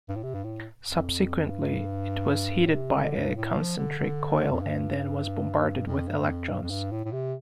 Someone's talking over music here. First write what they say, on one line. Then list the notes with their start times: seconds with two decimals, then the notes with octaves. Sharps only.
Subsequently it was heated by a concentric coil and then was bombarded with electrons.
0.09 G2
0.16 A2
0.23 C3
0.34 G2
0.44 A2
0.86 F2
1.49 G2
2.66 A2
2.74 C3
2.94 D3
3.16 G2
3.36 A2
3.57 F3
3.78 D3
3.99 D3
4.52 F2
4.62 G2
5.86 F2
6.08 G2
6.22 G2
6.28 F2
6.49 G2
6.63 F2
6.70 G2
6.91 A2
7.05 A2
7.12 C3